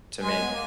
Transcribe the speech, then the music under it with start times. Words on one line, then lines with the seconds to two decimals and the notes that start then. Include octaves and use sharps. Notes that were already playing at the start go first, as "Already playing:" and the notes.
to me.
0.22 G#3 G#5
0.39 B3
0.49 A#3